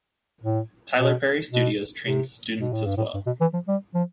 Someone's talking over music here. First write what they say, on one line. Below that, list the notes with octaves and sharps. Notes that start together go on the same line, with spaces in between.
Tyler Perry Studios trains students as well.
A2
B2
B2
C3
B2
A2
G2
A2
G2
B2
E3
F3
G3
F3